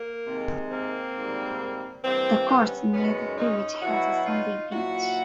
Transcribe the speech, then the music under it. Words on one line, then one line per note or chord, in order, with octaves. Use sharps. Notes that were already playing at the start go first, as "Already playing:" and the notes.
The coast near the village has a sandy beach.
Already playing: A#3
C3 D#3 G#3
A#3 C4
G#2 D#3 G3
G2 E3 G3 A#3 C4
B3 C#4
F#2 D#3 G#3 B3 C#4
C#4 D#4
B2 F#3 E4 F#4
D#4 F4
A#2 F#3 E4 F#4